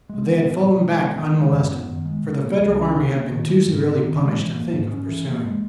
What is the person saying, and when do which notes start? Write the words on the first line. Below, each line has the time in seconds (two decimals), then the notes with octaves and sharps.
But they had fallen back unmolested, for the Federal army had been too severely punished to think of pursuing.
0.09 G#3
0.27 B3
0.45 B2
0.62 B2
0.80 G#3
0.99 B3
1.16 D#3
1.33 G#3
1.52 F#2
1.70 B3
1.87 D#3
2.05 G#3
2.23 B2
2.41 A#3
2.59 C#2
2.77 C#4
2.94 B2
3.12 A#3
3.30 D#3
3.48 G#3
3.66 G#2
3.83 B3
4.02 D#3
4.19 G#3
4.37 E3
4.55 A#3
4.73 G#2
4.91 C#4
5.08 E3
5.27 A#3
5.44 G#3